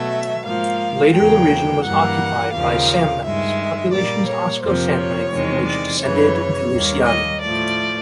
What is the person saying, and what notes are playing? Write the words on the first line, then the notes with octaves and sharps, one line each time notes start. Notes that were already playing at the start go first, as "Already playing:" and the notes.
Later the region was occupied by Samnites, populations Osco-Samnite from which descend the Luciani.
Already playing: B2 F#3 A3 E5
G#2 F3 A#3 F5
E2 C#3 F#3 A#3 G5
G2 E3 G3 A#3 F#5
D#2 C#3 F3 A#3 F5
G2 D#3 G#3 E5
A#2 G3 A#3 D5
C#5
F2 C3 F3 A#3 C5
C#5
E2 C3 D#3 G#3
D5
F#2 C#3 E3 C#5
D#2 D#3 G3 A#3
D#5
A2 F3 A3 D5